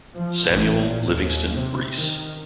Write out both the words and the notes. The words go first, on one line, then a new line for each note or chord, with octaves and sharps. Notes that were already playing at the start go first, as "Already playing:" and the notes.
Samuel Livingston Breese.
F3
A1
A#2
D#2
C3
D#3